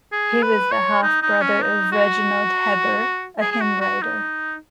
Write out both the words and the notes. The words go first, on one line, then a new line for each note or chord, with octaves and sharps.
He was the half brother of Reginald Heber, a hymn writer.
G#4
B4
C#5
D#4
D#4
C#4
D#4
F#4
G#4
G#4
F#4
F#4
D#4